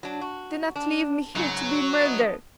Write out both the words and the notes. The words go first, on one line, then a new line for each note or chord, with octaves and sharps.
Do not leave me here to be murdered!
F#3 D4
F#4
D4
G#2 C#3 F#3
B3 D4 D#5